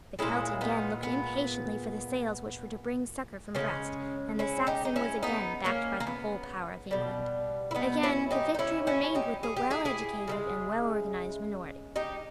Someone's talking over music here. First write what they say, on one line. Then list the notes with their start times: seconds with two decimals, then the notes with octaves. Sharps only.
The Celt again looked impatiently for the sails which were to bring succour from Brest; and the Saxon was again backed by the whole power of England. Again the victory remained with the well educated and well organized minority.
0.19 A#2 G#3 C#4 E4
0.61 B3 D#4
1.03 B3
3.55 C#3 G#3 A#3 C#4
4.39 C#4 E4
4.67 D#4 G4
4.85 D#4
4.96 C#4 E4
5.23 B3 D#4
5.65 A#3 C#4
6.00 A#3
6.07 B3
6.91 B2 G3
7.71 E4
7.75 B3 D#4
8.03 C#4 E4
8.31 D#4 G4
8.55 D#4
8.59 C#4 E4
8.87 C#4 E4
9.15 D#4 G4
9.43 G#4
9.56 G4
9.70 E4 G#4
9.85 E4 G#4
10.28 C#3 E3 G#3
11.96 D#4 G4